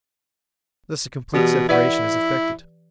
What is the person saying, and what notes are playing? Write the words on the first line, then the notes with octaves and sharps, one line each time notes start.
Thus a complete separation is effected.
B2 E3 G4
E4 B4 D5 F#5